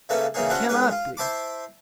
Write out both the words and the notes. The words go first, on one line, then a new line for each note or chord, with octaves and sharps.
It cannot be.
C#3 A3 A#3 C#4 B4 A5
C#3 E3 A#3 C#4 D#4 G#4
C#4 D4 F#4 C5 E5 A5
D#3 G#3 C#4 G4 B4
F4
E4 C5 E5 A5 B5 D6